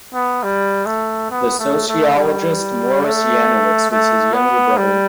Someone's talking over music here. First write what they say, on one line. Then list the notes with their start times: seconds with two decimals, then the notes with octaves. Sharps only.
The sociologist Morris Janowitz was his younger brother.
0.14 B3
0.43 G3
0.86 A3
1.30 B3
1.59 A3
1.88 A3
2.16 G3
3.04 A3
3.90 A3
4.33 B3
4.77 G3